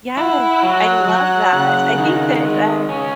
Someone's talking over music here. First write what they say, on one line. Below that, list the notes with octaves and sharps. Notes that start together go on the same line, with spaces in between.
Yes, I love that. I think that, uh,
E4 F#5
F#3
F#3
C#3
D#3
G#3
C#4